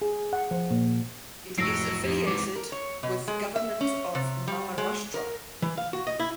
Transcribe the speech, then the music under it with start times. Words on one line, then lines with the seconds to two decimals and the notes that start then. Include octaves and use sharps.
It is affiliated with Government of Maharashtra.
0.02 G#4
0.33 F#5
0.51 F3
0.71 A#2
1.58 F1 A2 F#3 E6 A#6 C7 D7
2.03 F2 G4
2.27 G#2 C3 E3 D6
2.56 A#4
2.72 C#5
3.03 B2
3.28 G#3
3.56 E5
3.81 C#4
4.15 C3
4.48 G3
4.78 G#3
5.14 A#4
5.62 E3
5.78 F5
5.93 F#4
6.07 D#5
6.20 E4